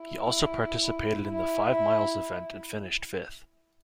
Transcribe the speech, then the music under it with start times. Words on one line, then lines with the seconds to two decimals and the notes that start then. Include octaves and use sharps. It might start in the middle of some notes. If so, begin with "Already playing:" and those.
He also participated in the five miles event and finished fifth.
Already playing: E4
1.32 E4
1.71 E4